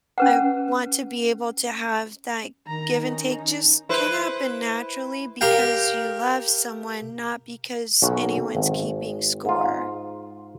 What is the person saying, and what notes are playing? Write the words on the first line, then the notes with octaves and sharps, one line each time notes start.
I want to be able to have that give and take just kinda happen naturally, because you love someone, not because anyone's keeping score.
C#4 B4 F#5
D#3 A#5
C#4 D#4
E4 B4 C5
G4 A#4 F5 G5
B1 C#4 F#4
G#1
G#2 F4